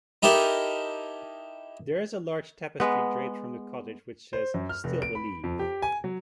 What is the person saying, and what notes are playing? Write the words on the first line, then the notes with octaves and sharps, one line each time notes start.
There is a large tapestry draped from the Cottage which says "Still Believe".
D#4 E4 G4 A4 A#4
G#3 B3
C5
F#2
F6
F1
D7
B5
F2
G4
G#5
F#3